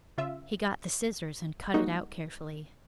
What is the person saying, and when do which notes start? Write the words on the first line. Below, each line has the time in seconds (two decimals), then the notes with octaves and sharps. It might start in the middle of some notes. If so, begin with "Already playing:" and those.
He got the scissors and cut it out carefully.
0.18 C#3 F4 E5
1.74 G3 G#3 A#3 D#4 F#4